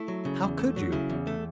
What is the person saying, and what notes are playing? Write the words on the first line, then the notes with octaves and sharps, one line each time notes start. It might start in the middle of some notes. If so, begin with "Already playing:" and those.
"How could you?"
Already playing: A3 E4
F#3
C#3
E2
A3
F#3
C#3 E4
E2
A3